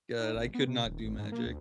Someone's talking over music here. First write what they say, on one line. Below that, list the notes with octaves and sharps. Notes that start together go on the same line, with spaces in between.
God, I could not do Magic.
D#4
G#1
B3
C3
D#1
G#1
G#2
A#3
D2